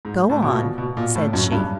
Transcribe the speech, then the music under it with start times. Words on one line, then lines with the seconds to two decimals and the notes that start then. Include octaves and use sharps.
"Go on," said she.
0.05 G#2
0.30 A2
0.42 B2
0.53 A#2
0.78 B2
0.97 A#2
1.16 A2
1.33 F#2
1.52 G2